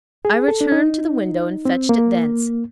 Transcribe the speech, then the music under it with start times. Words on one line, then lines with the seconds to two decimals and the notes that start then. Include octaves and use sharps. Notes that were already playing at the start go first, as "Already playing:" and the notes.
I returned to the window and fetched it thence.
0.25 G#4
0.48 A4
0.61 D4
0.72 D#4
1.65 C4
1.89 A#3